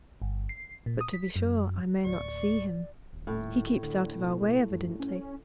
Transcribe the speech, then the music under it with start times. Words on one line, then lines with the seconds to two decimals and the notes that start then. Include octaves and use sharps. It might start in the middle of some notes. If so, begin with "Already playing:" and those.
But, to be sure, I may not see him; he keeps out of our way evidently.
0.22 G1
0.49 C7
0.86 A#2
1.01 D#6
1.13 B6
1.36 F#2
2.05 D2 A2 D5 C#6
3.13 D#1
3.27 A2
3.83 D3
4.16 B2
4.71 F#2
5.00 C#4